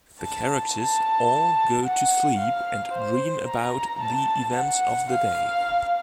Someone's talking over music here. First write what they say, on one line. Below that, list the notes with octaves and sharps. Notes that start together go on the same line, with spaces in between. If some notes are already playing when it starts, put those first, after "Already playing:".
The characters all go to sleep and dream about the events of the day.
A5
A5
F#5
F5
C5
A#5
A5
F#5
F5